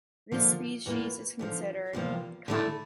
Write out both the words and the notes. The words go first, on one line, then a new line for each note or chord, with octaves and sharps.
This species is considered ""Ca.
D3 F3 A#3
E2 E3 A#3 F4
E2 D3 F3
E2 C3 F3 A#3
D3 A3 E4